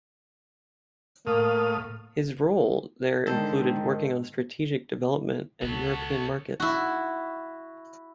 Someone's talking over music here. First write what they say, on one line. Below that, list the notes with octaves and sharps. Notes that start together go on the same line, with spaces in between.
His role there included working on strategic development and European markets.
A2 A#3 F5 D#6
G#2 D3 D#3 A4 C5
C#2 F#3 B3 A4 C#5
E4 F#4